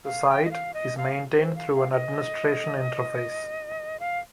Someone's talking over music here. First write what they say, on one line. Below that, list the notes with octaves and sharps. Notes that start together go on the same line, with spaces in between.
The site is maintained through an administration interface.
F5
G5
D#5
F5
D#5
F5
C5
F5
F5
D#5
F5